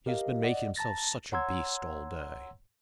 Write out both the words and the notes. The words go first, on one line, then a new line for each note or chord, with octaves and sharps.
He has been making himself such a beast all day.
G4 A#4 D#5 F5
D5 D#5 F#5
A5 A#5 A6 A#6
C#5 F#5 A#5 C6 E6 G#6